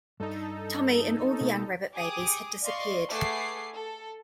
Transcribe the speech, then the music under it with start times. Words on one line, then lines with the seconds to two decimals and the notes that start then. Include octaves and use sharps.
Tommy and all the young rabbit-babies had disappeared!
0.20 G2 D#4 A4
1.41 B2 A3 A#3
1.93 G4 G#4 D6 D#6
2.63 D5 D#5 F5 C6 C#6
3.09 A3 G#4 B4 F#5 D6 C7
3.75 A4